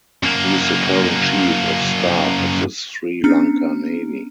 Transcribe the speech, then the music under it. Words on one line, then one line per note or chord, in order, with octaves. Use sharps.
He is the current Chief of Staff of the Sri Lanka Navy.
F#2 A#3
B3 C#4 D4 A#5 F6 C#7